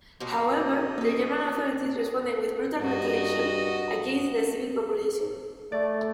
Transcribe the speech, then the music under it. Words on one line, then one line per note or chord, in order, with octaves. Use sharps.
However, the German authorities responded with brutal retaliation against the civil population.
B2 F#3 A#3 D#5 C6 D6
D#5 D#6
A#3 C4 C#4 F4
G2 F#4 D#5
A3 D5